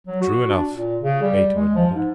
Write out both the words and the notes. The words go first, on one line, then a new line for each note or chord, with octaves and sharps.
"True enough," Ato admitted.
F#3
F#4
D4
A#2
C#3
G3
G#3
F3
G#2